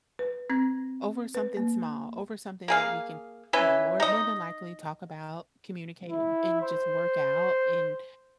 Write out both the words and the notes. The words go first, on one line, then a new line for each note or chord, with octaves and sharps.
Over something small, over something that we can, you know, more more than likely talk about, communicate, and just work out, and
B4
C4 G#6 A#6
B4
A#3
A#3 G#4 F5
E3 C#4 B4 E5
D#4 D#5
E4
C5